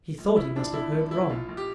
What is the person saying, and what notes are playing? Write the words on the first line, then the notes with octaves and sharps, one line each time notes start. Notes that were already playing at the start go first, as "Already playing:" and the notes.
He thought he must have heard wrong.
A#1
A#1 E4
A#1 D4
A#1 E4
A#1
A#1 E4
A#1 F4
A#1
G4